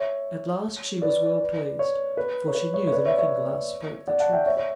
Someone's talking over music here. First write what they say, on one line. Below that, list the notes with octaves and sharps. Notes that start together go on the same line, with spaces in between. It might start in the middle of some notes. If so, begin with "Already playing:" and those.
At last she was well pleased, for she knew the Looking-glass spoke the truth.
Already playing: C#5 E5
B4 D5
C#5
B4
C#5
B4
C#5
C#5
B4 D5
C#5 E5
C#5 E5
D5 F#5
F#5 A5
E5 G5
C#5 E5
C#5